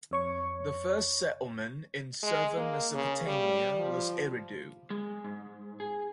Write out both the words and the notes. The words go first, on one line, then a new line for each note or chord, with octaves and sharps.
The first settlement in southern Mesopotamia was Eridu.
F2 C#5 C#6
G#3
A#3
C#3
G3
F3
G#3
G#2
G#4